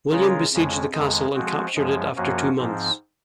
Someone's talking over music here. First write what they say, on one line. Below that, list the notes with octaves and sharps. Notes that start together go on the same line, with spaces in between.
William besieged the castle and captured it after two months.
C#3 G#3 C#4 F4 A#4
F2 C#3 G#3
F2 D#3 G#3
F3 G#3 C4 F#4
F#2 F3 G#3
F#2 F3 A#3 C#4 F#4
G#2 F3 C4